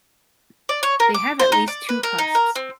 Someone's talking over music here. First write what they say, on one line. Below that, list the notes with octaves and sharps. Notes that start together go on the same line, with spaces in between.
They have at least two cusps.
D5
C#5
A#4
D6
C5
D#4
D5
B4
A#4
D#4
A#4
C4